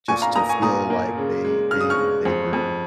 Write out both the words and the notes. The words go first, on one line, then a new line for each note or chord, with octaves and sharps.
just to feel like they they they were,
A#2 G#5 C#6
F5 A#5
A#3 A#5 D#6
G#5 C#6
A#2 A#5 D#6
A#3
C#3
G#3
C#3 F6
D#6
C#6 F6
G#3
F2
F2